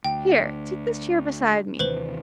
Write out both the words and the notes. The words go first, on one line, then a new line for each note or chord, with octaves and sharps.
Here, take this chair beside me.
D2 G5
D#2 C3 E3 B4 C5 F#7